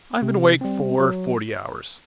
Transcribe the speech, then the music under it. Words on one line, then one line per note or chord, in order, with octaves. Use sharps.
"I have been awake for forty hours."
C3
G3 C4
F#3